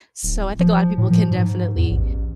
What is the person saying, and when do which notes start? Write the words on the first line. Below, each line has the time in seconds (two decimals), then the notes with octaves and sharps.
So I think a lotta people can definitely
0.23 D1
0.59 F3
0.98 A2
1.10 F3
1.31 G#2
1.76 E2
1.90 A1